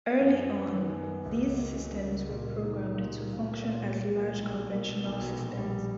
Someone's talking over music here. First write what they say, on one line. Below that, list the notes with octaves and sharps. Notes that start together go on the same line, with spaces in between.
Early on, these systems were programmed to function as large conventional systems.
F#2
F#3
B3
D#3
F#2
F#3
C#2
F#3
A#3
C#3
C#2
F#3
A#2
A#3
D#4
G3
A#2
A#3
A#2
A#3
A#2
G3
A#2
A#3
B1
F#3
A#3
B2
B1
F#3
A#1
G3